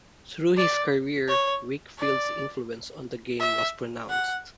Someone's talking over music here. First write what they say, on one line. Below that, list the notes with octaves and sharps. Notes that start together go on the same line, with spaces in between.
Through his career, Wakefield's influence on the game was pronounced.
D5
C#5
D5
E5
F#5